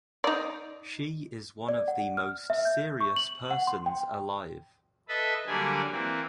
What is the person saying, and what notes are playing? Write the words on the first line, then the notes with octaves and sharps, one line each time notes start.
She is one of the most serious persons alive.
D#4 D5
D5
F#5
F6
E5
G6
C#6
F#7
F#5
C6
G5
A4 B4 D#5 E5 A5 B5
D3 F#3 G3 A#3 D4 G#5
E3 A#3 C4